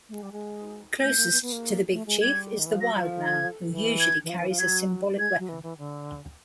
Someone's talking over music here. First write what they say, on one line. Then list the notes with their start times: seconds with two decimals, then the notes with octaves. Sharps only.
Closest to the "Big Chief" is the "Wildman" who usually carries a symbolic weapon.
0.09 A3
0.13 G#3
0.23 G3
0.32 G#3
1.02 A3 G6
1.17 A#3
1.32 B3
1.42 B3
1.52 A#3
1.92 A3
2.07 G#3
2.22 G3 G#6
2.59 D#3
2.66 E3
2.74 F3
2.81 F#3 A#6
2.95 F3
3.25 G#6
3.70 E3
4.00 G#6
4.24 E3
4.30 F3
4.40 E3
4.50 F3
4.59 F#3 G#6
5.13 G3
5.19 G#3 G#6
5.39 F#3
5.49 E3
5.63 E3
5.78 D3